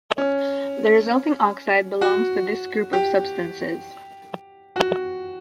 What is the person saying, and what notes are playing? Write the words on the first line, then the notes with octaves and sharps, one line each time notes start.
The resulting oxide belongs to this group of substances.
C#4
F#4
G4
F#4